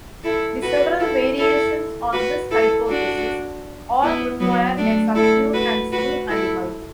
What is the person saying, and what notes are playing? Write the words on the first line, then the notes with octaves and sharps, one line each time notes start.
The several variations on this hypothesis all require a subdued and still animal.
E4 A4
F#4 B4
E4 A4
E4 A4
F#4 B4
E4 A4
D4 F#4
B3 E4
F#3 B3
A3 D4
E4 A4
F#4 B4
F#4 B4
E4 A4